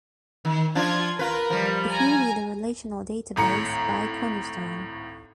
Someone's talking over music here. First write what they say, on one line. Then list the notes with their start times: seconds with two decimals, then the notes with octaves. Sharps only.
If you need a relational database, buy Cornerstone.
0.45 D#3
0.75 F3 D4 F4 G#6
1.19 F4 A#4 B4
1.50 F3 G3
1.90 G#5 A#5
3.36 G#1 A2 A#5 C#7